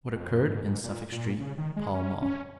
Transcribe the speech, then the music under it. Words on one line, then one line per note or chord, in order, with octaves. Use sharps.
What Occurred in Suffolk Street, Pall Mall.
F2
F#2
G#2
G#2
A#2
A#2
C#3
D#3
G#3
C#4
C#4